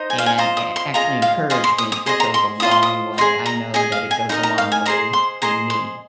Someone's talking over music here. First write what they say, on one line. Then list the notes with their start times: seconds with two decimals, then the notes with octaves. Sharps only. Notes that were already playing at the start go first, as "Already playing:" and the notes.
and a actually encouragement, it goes a long way, I know that it goes a long way for me.
Already playing: D#4 C5 D#5
0.10 G#5
0.18 F5
0.26 G#5
0.38 F4 C5 D#5 A#5
0.57 D#6
0.76 C6
0.94 F4 G#4 D#5 A#5
1.22 F5
1.50 G#4 C5 D#5 F5
1.64 C6
1.78 D#6
1.92 D#6
2.06 G#4 C5 D#5 C6
2.20 A#5
2.34 C6
2.60 F4 C5 D#5 D#6
2.71 C6
2.83 D#6
3.18 G#4 D#5 C6
3.46 A#5
3.74 G#4 D#5 G#5
3.92 F5
4.11 G#5
4.29 D#4 A#4 D#5 A#5
4.43 A#5
4.58 F5
4.72 G#5
4.86 G#4 C5 D#5 A#5
5.13 C6
5.42 G#4 C5 D#5 A#5
5.70 C6